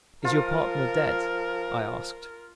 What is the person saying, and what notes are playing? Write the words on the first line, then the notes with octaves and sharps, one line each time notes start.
"Is your partner dead?" I asked.
F3 F4 A#4